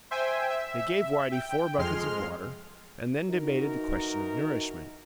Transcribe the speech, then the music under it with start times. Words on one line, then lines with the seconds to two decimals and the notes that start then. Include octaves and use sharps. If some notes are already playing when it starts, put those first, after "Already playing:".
They gave Whitey four buckets of water, and then debated the question of nourishment.
0.11 C5 E5 G5 G#5
0.50 E5
0.79 E5
1.32 G5
1.78 F2 G#3 C6 F6
3.29 E3 D#4 F#4 A#4